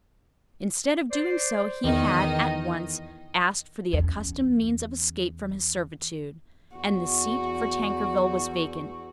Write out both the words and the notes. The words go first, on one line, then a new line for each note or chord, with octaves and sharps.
Instead of doing so he had at once asked for the accustomed means of escape from his servitude, and the seat for Tankerville was vacant.
C5 D5
E2 D#3 D#4 D#5
E2 C#4
E2 F#4